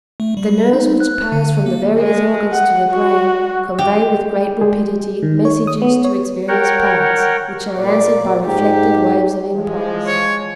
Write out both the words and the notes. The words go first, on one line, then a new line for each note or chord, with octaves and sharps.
The nerves which pass from the various organs to the brain convey with, great rapidity messages to its various parts, which are answered by reflected waves of impulse.
A3
G3
D#4
F#6
D3
A#3
G#3
F#5
F#4
G4
G#3 G#4
D#3
C#5
D#6
B3
C#5
A#4 C#5 F#5 G5
A#2 D5
G#2 G4
E3 F3 G#3
C#5